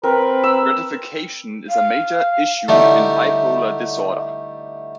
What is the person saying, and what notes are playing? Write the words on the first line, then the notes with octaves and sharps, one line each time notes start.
Gratification is a major issue in bipolar disorder.
C4 A#4 B4
E6
F5
D3 G3 A3 D#4 E4